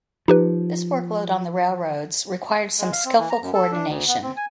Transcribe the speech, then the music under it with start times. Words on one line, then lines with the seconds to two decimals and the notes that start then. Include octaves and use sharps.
This workload on the railroads required some skillful co-ordination.
0.28 F3 D#4 G4 B4
2.78 G#3
2.92 F5
3.05 C4
3.19 E3
3.30 A#5
3.42 F#2
3.54 A4
3.71 D4
3.88 D2
4.08 B3
4.23 C4
4.37 G#5